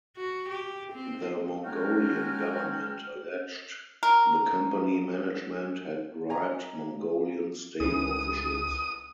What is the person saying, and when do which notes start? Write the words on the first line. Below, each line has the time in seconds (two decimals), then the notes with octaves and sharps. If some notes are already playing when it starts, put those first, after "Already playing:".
The Mongolian government alleged the company management had bribed Mongolian state officials.
0.17 F#4
0.49 G4
0.93 C4
1.65 F#3 G#3 C#4 F#4 G5 F6
4.03 A#4
6.30 D5 G#5 A#5
7.80 C#2 E3 A3 C#4 D#6